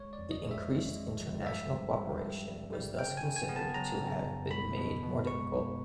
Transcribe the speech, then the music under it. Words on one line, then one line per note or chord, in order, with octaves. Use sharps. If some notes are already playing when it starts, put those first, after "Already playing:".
The increased international cooperation was thus considered to have been made more difficult.
Already playing: G#3 C#5
D5
F2
D#5
G#3
E5
G#3
G#3
F3
G2 E5
G2
G2
G2
G3
G3
C#3 G5
G#5
C#3
G#5
B3
A5
F#3 A#5
C#3
F#2
B2 B5
B2
B2
G#3 C#6
B2